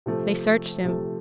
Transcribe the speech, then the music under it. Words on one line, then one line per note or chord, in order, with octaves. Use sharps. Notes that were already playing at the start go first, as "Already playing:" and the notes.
They searched him.
C3 F3 A3
C3 F3 A3